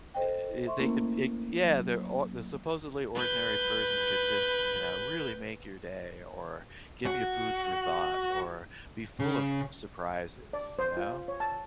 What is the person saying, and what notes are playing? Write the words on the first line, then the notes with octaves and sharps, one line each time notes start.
Eh eh they could eh yeah, they're or the supposedly ordinary person could just, you know, really make your day or give you food for thought or be full of surprises, you know?
A4 C5 D#5 G5
E5 C6 C#6
A3 A#3 C#4 E4 A#4
F#3
B4 G6
F#4
C#3
D5
C5
F4
C#5
A5